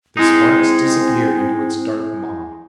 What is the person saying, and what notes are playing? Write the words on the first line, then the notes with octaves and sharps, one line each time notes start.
The sparks disappeared into its dark maw.
G#3 C4 D#4 E4 C7